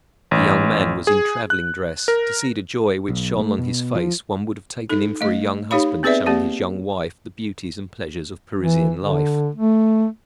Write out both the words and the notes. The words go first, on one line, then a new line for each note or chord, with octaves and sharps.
The young man was in traveling dress; to see the joy which shone on his face, one would have taken him for a young husband showing his young wife the beauties and pleasures of Parisian life.
A1
G#4
F#6
A#4
B1
A3
B2
F3
D#4 A4
A3 D#5
D#4 G4 C#5 F5 B5
B3 C4 G#4 B4 D5 E5
A#3 C4 G4 D5
E3
D3
A3